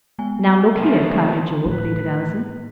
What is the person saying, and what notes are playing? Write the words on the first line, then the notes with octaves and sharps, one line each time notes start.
"Now, look here, Cloudy Jewel," pleaded Allison.
G#3 B3 G#5
F1 B2 F3 A3
A2 B4